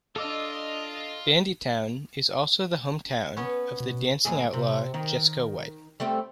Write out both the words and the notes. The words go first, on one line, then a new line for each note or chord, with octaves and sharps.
Bandytown is also the hometown of the "Dancing Outlaw" Jesco White.
D4 F4 A4 D#5 D6 E6
B3 C#4
B2
D#2 G#2 G#4
C3
D#3
G3 A3 C4